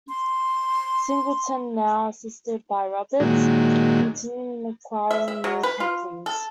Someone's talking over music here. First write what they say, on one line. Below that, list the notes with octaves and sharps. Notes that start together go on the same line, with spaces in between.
Singleton, now assisted by Roberts, continued in acquiring new companies.
C6
A#2 D#3 F#3 G#3
E5
E5
F#3
B4
F4
A4